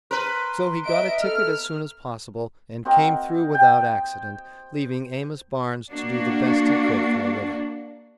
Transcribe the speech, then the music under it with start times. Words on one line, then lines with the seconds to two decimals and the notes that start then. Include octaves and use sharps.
So he got a ticket as soon as possible, and came through without accident, leaving Amos Barnes to do the best he could for a living.
0.11 A#4 B4 C6
0.86 D#5 E5 D7
1.23 A4 F6
2.85 C4 F#4 A#4 D#5
3.53 G5 A5
5.91 A#3 D4 F#4